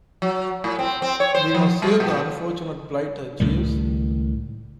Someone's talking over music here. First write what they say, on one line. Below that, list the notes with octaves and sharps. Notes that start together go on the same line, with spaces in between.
We must save the unfortunate blighter, Jeeves.
F#3
A2
C4
C4
C#5
C5
F3
G3
A#2
C#2 A2 D#3 G3